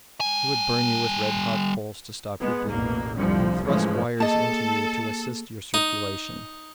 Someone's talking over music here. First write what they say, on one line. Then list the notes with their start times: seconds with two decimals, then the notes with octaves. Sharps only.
He would burn you with red-hot coals to stop your bleeding, and thrust wires into you to assist your circulation.
0.20 G3 G#5
2.41 G#3 B3
2.69 A1 E2 B2 A#3
3.18 C2 F2 D3 F3 G3
3.67 G#2 C#3 E3 F3 G#3 A3
4.20 A#3 G#4 A4 D#5 A5
5.74 D#4